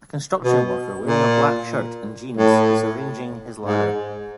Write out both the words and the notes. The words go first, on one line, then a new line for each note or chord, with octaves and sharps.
A construction worker wearing a black shirt and jeans is arranging his ladder.
B2
A#2
A2
G#2